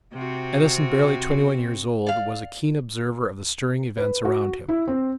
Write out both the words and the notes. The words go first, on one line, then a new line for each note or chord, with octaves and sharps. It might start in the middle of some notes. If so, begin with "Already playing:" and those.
Edison, barely twenty-one years old, was a keen observer of the stirring events around him.
C3 C4 F#4
D5 F5
B4
F#4
E4
C4